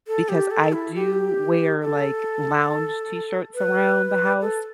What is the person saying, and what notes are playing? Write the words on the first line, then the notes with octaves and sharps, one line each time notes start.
because I do wear, like, lounge t-shirts around the house,
A4
G4
A4
E4
G4
A4
B4
A4